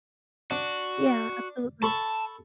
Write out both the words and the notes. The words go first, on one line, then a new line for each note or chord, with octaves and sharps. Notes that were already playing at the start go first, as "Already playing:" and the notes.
Yeah, absolutely.
D4 F#4
A4 A5 B5 C#6